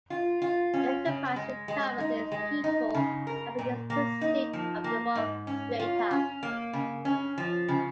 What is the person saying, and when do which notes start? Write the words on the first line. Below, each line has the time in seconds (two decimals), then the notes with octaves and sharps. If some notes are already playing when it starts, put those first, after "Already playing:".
"Enterprise" recovers its people and begins pursuit of the rogue freighter.
0.10 F4
0.42 F4
0.74 C#4
1.05 C#3
1.36 G#3
1.68 G#3
2.00 D#4
2.32 G#3
2.64 D#4
2.94 C#3
3.27 A#4
3.59 A#2
3.90 A#3
4.21 D#4
4.53 F3
4.84 A#3
5.15 G#2
5.47 C#4
5.80 F4
6.11 C#4
6.43 A#3
6.73 C#3
7.05 C#4
7.38 F3
7.68 C#3